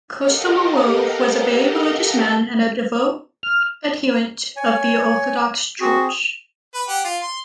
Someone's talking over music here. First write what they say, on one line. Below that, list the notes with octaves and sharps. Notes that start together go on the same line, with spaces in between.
Kostomarov was a very religious man and a devout adherent of the Orthodox Church.
G4 A4 A#4 D#5 F5 F#5
F6
C#5 G#5
C4 F#4 G#4
B4
G4 F#5
F4
C6